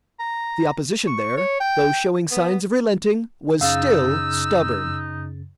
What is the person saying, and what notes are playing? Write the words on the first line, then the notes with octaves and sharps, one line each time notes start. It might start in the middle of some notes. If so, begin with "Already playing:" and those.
The opposition there, though showing signs of relenting, was still stubborn.
A#5
C#6
C#5
G5
B3
F#2 C#3 D#4 F5 E6 A6